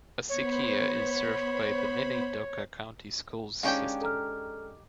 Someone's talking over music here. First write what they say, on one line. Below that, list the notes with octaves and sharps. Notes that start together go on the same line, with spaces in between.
Acequia is served by the Minidoka County Schools system.
B3 C5 C#5 B5
D#3 G#3 C#4 D4 G4 F5 G5
A4 A#5 F6